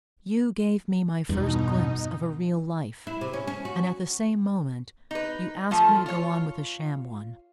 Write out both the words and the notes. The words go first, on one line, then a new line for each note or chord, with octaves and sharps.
You gave me my first glimpse of a real life, and at the same moment you asked me to go on with a sham one.
E2 G2 B2 D#4
E4
C3
C#4
C#4
F#4
D#4 B4
F3 A3 F4
F4 C#5